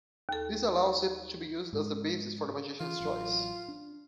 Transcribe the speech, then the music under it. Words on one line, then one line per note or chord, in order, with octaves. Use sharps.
This allows it to be used as the basis for a Magician's Choice.
D#2 A4
G#2
E3 F4
A1 F#3
D4